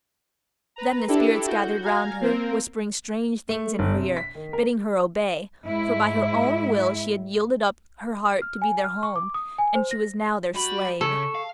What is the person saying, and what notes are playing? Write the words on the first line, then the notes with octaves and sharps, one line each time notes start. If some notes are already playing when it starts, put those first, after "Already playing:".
Then the spirits gathered round her, whispering strange things in her ear, bidding her obey, for by her own will she had yielded up her heart to be their home, and she was now their slave.
B4 A#5
D4 E4 G4 A4
F#4 G6
F5 G#5 A#5 G#6
A#3 C4 A#4
A3
G1
C3
B6
D#3
A#4
G#2 E4
F6
G#5
F6
C#6
D6
D#6
G#5
C5
A#6
G3 F#4 B5
C#3 A4 C#6
F5